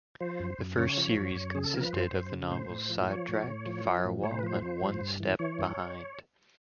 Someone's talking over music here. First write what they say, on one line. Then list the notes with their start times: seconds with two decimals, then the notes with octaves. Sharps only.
The first series consisted of the novels "Sidetracked", "Firewall" and "One Step Behind".
0.20 F3 C5
0.40 F#2
0.58 F#2
0.78 C#3 C#5
0.97 F3
1.17 F#2
1.36 F#2
1.55 C#3 G#4
1.64 A4
1.74 F3 A#4
1.84 B4
1.93 F#2 C5
2.13 F#2
2.32 C#3
2.51 A2 C5
2.70 A2
2.89 F3
3.08 F3 C#5
3.28 A2
3.47 A2
3.66 F3
3.85 F3
4.04 A2
4.23 A2 C#5
4.31 C5
4.39 B4
4.43 F3 C5
4.62 F3
4.81 G2
5.00 G2
5.20 E3
5.39 E3 C#5
5.59 G2